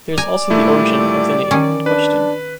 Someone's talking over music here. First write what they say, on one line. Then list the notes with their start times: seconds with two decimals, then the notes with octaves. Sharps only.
This is also the origin of the name in question.
0.18 D5 G#5 A#5
0.50 A#2 G3 A3 E4
1.51 D#3 C#4
1.86 D4 B4